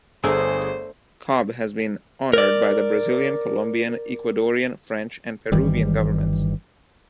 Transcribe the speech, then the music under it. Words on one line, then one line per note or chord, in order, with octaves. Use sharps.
Cobb has been honored by the Brazilian, Colombian, Ecuadorian, French, and Peruvian governments.
G1 A3 D4 G#4 A#4 C5
A#4 D5
G1 D#3 E3 G3